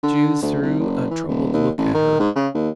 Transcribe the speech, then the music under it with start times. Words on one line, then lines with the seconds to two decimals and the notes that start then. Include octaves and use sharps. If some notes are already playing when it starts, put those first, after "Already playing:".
Jude threw a troubled look at her.
0.03 D3
0.42 D2
0.62 C2
0.79 F#1
1.11 E3
1.28 D#1
1.53 D#2
1.78 A1
1.94 D#3
2.20 G#2
2.36 C#3
2.54 D#2